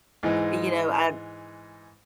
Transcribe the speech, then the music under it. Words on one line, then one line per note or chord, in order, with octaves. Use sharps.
and you know, I
G#2 E3 G#3